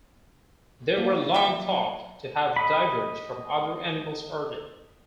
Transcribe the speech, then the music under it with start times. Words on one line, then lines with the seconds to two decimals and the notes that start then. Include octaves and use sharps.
They were long thought to have diverged from other animals early.
0.97 A#3 F4 D#5 E5
1.34 D#3 F#3 E5
2.56 D#5 B5